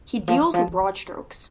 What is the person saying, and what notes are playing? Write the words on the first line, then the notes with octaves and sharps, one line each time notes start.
He deals in broad strokes.
D#3
F3
D#3
F3
F3
G3